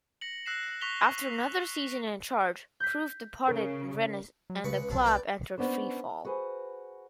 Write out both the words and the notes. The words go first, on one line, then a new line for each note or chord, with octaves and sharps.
After another season in charge, Prouff departed Rennes and the club entered free-fall.
A#6 C#7 F#7
E6 F#6 A#6 C7 E7
C#6 F#6 A#6 B6 F7 G7
F#6
G6 B6
C#3 A#4
F#3
C#2 C#3 B4 C#6
C2 B2 F3 F#3
B4 D5 G5
B3 C#4 D4 C5
F#4 G#4 B4 C5 G#5